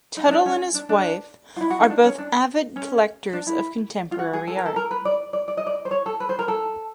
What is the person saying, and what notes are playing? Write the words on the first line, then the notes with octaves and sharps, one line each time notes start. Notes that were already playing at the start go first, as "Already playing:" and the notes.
Tuttle and his wife are both avid collectors of contemporary art.
D#4
D#4
D4
C#4
D4
D4
F4
E4
F#4
D#4
D4
C#4
D4
C#4
D4
E4
F4
F#4
G#4
A4
A#4
A4
A#4
B4
D5
D5
D5
D#5
D5
C5
C#5
A4
B4
C5
A#4
A4